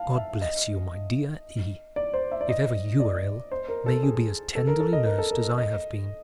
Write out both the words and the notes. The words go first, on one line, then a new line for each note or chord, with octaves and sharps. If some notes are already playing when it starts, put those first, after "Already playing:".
God bless you, my dear E. If ever you are ill, may you be as tenderly nursed as I have been.
Already playing: F5 A5
E5
D#5
D5
C5
E5
D5
D#5
D5
C5
A#4
A4
G#4
A4
A#4
A4
D#5
A#4
A4
A#4
D#5